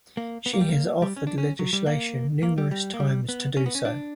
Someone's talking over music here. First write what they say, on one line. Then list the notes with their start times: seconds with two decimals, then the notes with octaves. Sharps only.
She has offered legislation numerous times to do so.
0.17 A#3
0.46 B3
0.53 A#3
0.61 G3
0.69 A#3
1.02 G3
1.16 C#4
1.27 D4
1.38 C#4
1.59 F#3
1.73 G3
1.86 A#3
2.43 A#3
2.58 G3
2.71 G3
2.94 A#3
3.00 G3
3.29 B3
3.57 C#4
3.66 B3
3.75 C#4
3.85 D4